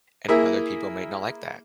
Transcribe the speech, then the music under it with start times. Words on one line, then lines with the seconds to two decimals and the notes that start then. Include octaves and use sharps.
and other people might not like that.
0.28 A#3 E4 G#4 A#4 E5